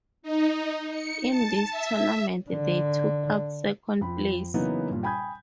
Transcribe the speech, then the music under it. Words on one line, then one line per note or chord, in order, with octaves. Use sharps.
In this tournament they took out second place.
D#4
C#7
A5
E5
D3
F2 B5
C#3 E3 F#3 A#3 B3 D#4
G2 A#2
G5 G#5 B5 D#6 G6 G#6